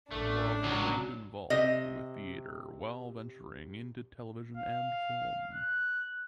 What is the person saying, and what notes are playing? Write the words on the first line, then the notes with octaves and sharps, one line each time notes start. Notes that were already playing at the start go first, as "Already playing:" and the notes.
Olaf remained involved with theatre while venturing into television and film.
A1 A3 D4
C#2 F#3
C3 D#5
F5
F#6